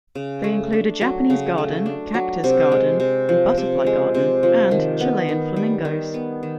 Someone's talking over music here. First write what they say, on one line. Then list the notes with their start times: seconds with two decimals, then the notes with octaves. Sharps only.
They include a Japanese garden, cactus garden, and butterfly garden, and Chilean flamingos.
0.15 C#3
0.44 A3
0.73 D4
1.01 F#3
1.30 C#3
1.58 A3
1.86 D4
2.14 F#3
2.44 C3
2.72 G#3
3.00 C3
3.29 F3
3.57 C3
3.86 G#3
4.14 C3
4.43 F3
4.71 D#3
5.00 B3
5.29 D#3
5.56 G3
5.85 D#3
6.14 B3
6.43 D#3